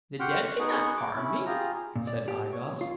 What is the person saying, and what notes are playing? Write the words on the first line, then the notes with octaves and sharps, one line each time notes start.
"The dead cannot harm me," said I-Gos.
F#4 G4 F#5 G5 C6 F6
C#6
B3 D#4 F#4 G#4 F#5
D6
C#4 E4
F4 G4 G#4 A#5
A#2
D5
G4
C#5
F4